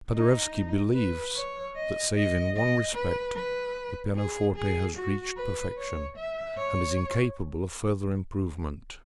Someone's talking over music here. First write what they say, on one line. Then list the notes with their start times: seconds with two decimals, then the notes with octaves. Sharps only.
Paderewski believes that, save in one respect, the pianoforte has reached perfection and is incapable of further improvement.
0.15 D#4
0.95 B4
1.35 C#5
1.76 D#5
2.16 D#5
2.56 D#5
2.95 B4
3.36 B4
4.16 G#4
4.56 G#4
4.96 F#4
5.37 B4
5.78 C#5
6.17 E5
6.58 C#5